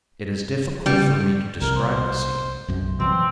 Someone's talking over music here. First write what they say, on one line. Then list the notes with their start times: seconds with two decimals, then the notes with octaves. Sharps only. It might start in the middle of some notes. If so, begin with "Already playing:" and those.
It is difficult for me to describe the scene.
0.86 C#3 G3
1.62 C2 A#4
1.76 C5
2.68 B1 F#2
3.00 B2 E3 F#3 C4